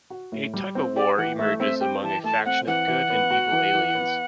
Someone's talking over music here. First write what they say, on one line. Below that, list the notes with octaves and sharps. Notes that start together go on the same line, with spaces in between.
A tug-of-war emerges among a faction of good and evil aliens.
F#4
A2
G3
C4
G4 D5
E3 F#5
A3 E5
C4 E5
G4 G5
E3 A5
A3 A5
C4 F#5
E3 F#5
E3
B3
F#4
E3
E3
B3